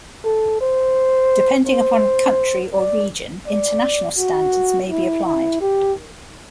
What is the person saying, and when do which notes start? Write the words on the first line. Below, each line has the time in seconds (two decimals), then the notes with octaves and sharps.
Depending upon country or region, international standards may be applied.
0.25 A4
0.61 C5
1.67 C5
2.74 D5
3.47 D5
4.18 F#4
4.89 E4
5.25 E4
5.61 G4